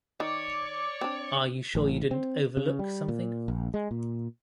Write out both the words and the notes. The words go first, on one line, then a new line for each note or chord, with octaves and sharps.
Are you sure you didn't overlook something?
D#3 C#5 D5 D6
C4 D4
A1
C4
C#3
G3
A#2
A#1
G#3
A#2